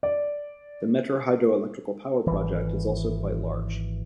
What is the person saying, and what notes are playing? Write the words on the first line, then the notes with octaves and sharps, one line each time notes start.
The Mettur Hydro Electrical power project is also quite large.
D5
G#1 E3